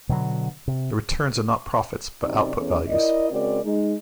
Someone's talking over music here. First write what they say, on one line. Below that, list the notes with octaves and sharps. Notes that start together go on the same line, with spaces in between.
The "returns" are not profits, but output values.
B2 D3 F#3
C3
F#2 C3 D#4 D5
E2 A2 C#4
E4 A#4 D5 D#5
C#3 G#3 C4 F#4 A#4 D5
G#3 D#4